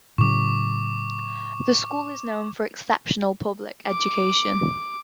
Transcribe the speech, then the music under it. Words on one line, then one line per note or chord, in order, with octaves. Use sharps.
The school is known for exceptional public education.
A2 C#3 F#3 C#6 D6
D6